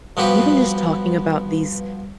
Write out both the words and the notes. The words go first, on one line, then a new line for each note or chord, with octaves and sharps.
Even just talking about these
G2 F3 B3 F#4 G4 B4